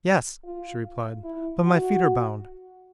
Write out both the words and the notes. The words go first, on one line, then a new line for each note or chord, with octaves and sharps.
"Yes," she replied, "but my feet are bound."
F4
E4
F#4